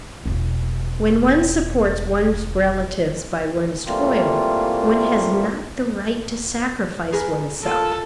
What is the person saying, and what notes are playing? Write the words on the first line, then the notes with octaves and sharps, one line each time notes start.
When one supports one's relatives by one's toil, one has not the right to sacrifice one's self.
E1 E4
E3 G3 A3 A#3 C4 F4
G#4 A#4 B4
F4 A4 A#4